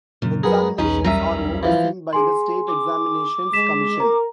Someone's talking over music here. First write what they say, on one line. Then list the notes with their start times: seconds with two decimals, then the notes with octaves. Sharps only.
Examinations are overseen by the State Examinations Commission.
0.22 F#2 A#2 C#3
0.43 F#3 B3 G#4 A#4 A#5
0.78 B1 E2 C#4 D#4 G#4 B4
1.04 F#2 G3 C#4 E5 A#5
1.63 E3 F3
2.13 G#4 G#5 C6
2.68 D6
3.53 G#3 B6 E7
4.00 A#4 A#5